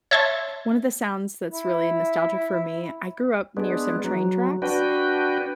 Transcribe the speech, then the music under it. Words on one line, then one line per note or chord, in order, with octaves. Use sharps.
One of the sounds that's really nostalgic for me- I grew up near some train tracks,
C#5 E5 A5 C6 C#6
E4
G#3 B3 D4
F#3
D4 F#4 B4 G5